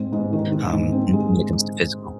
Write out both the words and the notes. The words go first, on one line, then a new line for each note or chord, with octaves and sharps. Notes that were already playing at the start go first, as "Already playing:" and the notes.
um, w when it comes to physical
Already playing: G#2 C4
G#2
D#3
D#3
G#2
C4
G#3